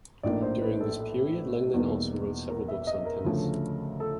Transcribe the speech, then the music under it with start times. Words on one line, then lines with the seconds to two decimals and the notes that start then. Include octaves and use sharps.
During this period, Lenglen also wrote several books on tennis.
0.23 A#1 A2 F3 A#3 D#4 D5
0.42 C5
0.62 B4
0.80 A4
1.00 A4
1.74 E2 B2 G3 A#3 D#4
2.49 A#4
2.68 E5
2.87 D#5
3.05 A#4
3.25 D2 C#3 F3 A3
4.00 A4